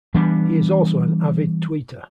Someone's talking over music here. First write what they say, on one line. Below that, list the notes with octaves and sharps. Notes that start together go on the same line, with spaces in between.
He is also an avid tweeter.
E3 G3 B3 D4